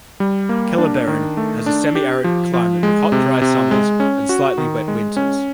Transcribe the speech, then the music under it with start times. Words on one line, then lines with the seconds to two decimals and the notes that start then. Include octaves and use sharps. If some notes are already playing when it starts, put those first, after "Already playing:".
Kellerberrin has a semi-arid climate with hot dry summers and slightly wet winters.
0.20 G3
0.49 A#3
0.78 D4
1.07 D#3
1.37 A3
1.66 D4
1.95 G4
2.24 F3
2.54 F3
2.83 G#3
3.12 C3
3.42 C3
3.71 G#3
4.00 C#4
4.29 F#4
4.58 D#3
4.88 G#3
5.17 C#4